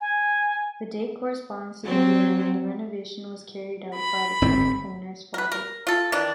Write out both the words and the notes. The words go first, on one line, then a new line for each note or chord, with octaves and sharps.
The date corresponds to the year when the renovation was carried out by the current owner’s father.
G#5
F#3 C4
B5
G1 G#2 C4
A#4 B4
A#4
F4 A4
D#3 E3 D4